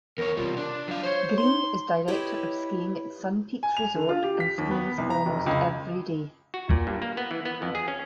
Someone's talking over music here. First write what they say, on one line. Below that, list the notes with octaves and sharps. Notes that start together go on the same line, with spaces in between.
Greene is director of skiing at Sun Peaks Resort and skis almost every day.
E2 A#4 C#5
C3 G3 F4
D4
F#3 F5
C5 C#5
D#4 C6
E4 G4 B4 C#5 D#5
G#5
F7
D3
F4
G4
B6
D#2
B3
C2
A#5
F1
C#2
F#4
A#2
G2
A#3
B3
E3
B3
F2
G#4
C#4